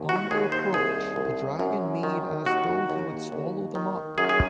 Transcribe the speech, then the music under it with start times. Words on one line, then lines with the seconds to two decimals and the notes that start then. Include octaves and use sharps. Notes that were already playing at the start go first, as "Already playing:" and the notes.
On the approach, the dragon made as though he would swallow them up.
Already playing: D#2
0.09 F#4
0.31 D#2 G#4
0.52 C5
0.73 C2 G#4
1.16 C2
1.59 F#2
2.03 D#3
2.45 D#2 F#4
2.90 D#2
3.32 D#2
3.75 D#3
4.18 F#2 G#4
4.29 G#4